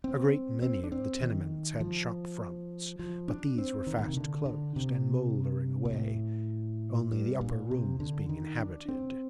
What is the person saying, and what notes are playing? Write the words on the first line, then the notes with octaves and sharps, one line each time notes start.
A great many of the tenements had shop-fronts; but these were fast closed, and mouldering away; only the upper rooms being inhabited.
C4
C4
D4
C4
D#3
F3
F3
D4
C4
D#3
A#2
C3
D3
D3
C3
A#2
A2
G2
A#2
C3
D3
D#3
D4
C4